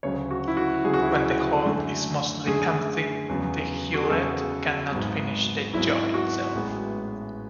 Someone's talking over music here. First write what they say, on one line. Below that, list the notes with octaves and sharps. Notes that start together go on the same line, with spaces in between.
When the hold is mostly empty, the Hulett cannot finish the job itself.
D2 C#3 F#3 C#5
F#4
E4
F#4
D2 C#3 F#3 G#4
F#4
E4
F#4
F#2 D3 A3
F#2 D3 A3 G#4
E2 C#3 F#3 B3
F#4
G#4
E2 C#3 F#3 B3 A4
G#1 G#2 F#3 B3
G#1 G#2 F#3 B3 E4
F#4
A1 A2 G#3 B3